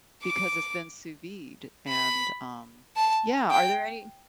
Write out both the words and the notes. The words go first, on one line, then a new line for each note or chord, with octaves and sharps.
because it's been sous vide, and, um, yeah, are there any
D6
B5
A5
G5